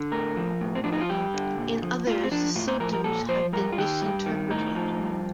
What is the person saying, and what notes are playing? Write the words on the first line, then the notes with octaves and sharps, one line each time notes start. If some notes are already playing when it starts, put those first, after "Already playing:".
In others, the symptoms have been misinterpreted.
Already playing: D3
A2 A#4
F3
A2
C4
F3 D4
D#4
F4
G2 G4
D3
A#2
F3
A2 F4
C4
F3 D4
A2 F4
C5
F3 A#4
A#4
A#2 A4
F3 C5
G2 A#4
F4
D#3 G4
G2
D#3
A2 D#4
F3
G2